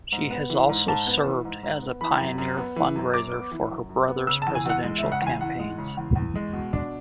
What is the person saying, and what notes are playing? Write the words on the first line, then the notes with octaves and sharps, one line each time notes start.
She has also served as a pioneer fundraiser for her brother's presidential campaigns.
G#2
B3
E3
G#2
G#2 A5
B3
E3
G#2
G#2
B3
E3 B5
F#2
F#2
B3
E3
F#2
F#2 D6
B3
E3
F#2
F#2
B3
C#3 E6
A5
E2
G#5
E2 F#5
G#3
E5
C#3
F#5
E2
G#5
E2 F#5
G#3
C#3
E2
E2
G#3
B2
D4